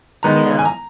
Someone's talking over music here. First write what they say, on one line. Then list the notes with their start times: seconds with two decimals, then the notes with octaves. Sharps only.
you know?
0.23 D#3 G#3 B3 D#4 A#5
0.59 G#5
0.65 A#5